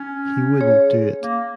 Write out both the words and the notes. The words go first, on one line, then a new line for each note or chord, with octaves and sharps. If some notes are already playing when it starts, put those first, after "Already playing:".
He wouldn't do it.
Already playing: C#4
G#4 C#5
A#3